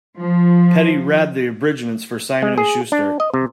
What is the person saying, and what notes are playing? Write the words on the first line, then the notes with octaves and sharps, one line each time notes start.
Petty read the abridgments for Simon and Schuster.
F3
G#3
G#4
D4
D#5
C3